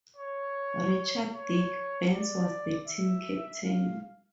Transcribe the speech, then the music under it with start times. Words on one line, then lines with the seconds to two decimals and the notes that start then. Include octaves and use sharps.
Richard "Dick" Bence was the team captain.
0.16 C#5
1.32 C#5
2.09 D5
2.87 E5
3.65 F5